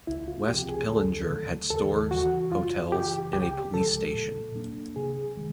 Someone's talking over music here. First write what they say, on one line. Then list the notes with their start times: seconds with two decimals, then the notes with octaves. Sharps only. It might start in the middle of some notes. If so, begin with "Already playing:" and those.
West Pillinger had stores, hotels and a police station.
0.07 C#2 E4
0.28 F4
0.48 C3 F3 G4
0.69 G#4
0.88 D2 A4
1.30 C#3 F#3 A3
1.70 D#2 A4
2.11 C#3 E3 G3 F#4
2.52 F#2 F4
2.92 C#3 E3 G4
3.33 C#2 G4
3.74 C#3 F3 G#3 A4
4.14 A#2
4.55 F#3 A#3 D4
4.96 C3 G#4
5.37 D#3 G#3